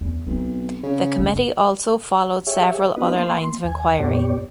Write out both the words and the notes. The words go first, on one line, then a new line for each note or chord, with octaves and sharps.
The committee also followed several other lines of inquiry.
E2
B1 C4 D#4
C#3
F#1
G4 G#4 C#5 E5
B3 D4 E4 F#4 B4 D#5
A#3 C6
D#2 G#5
F2 A#2 B3 G4 C#5 D5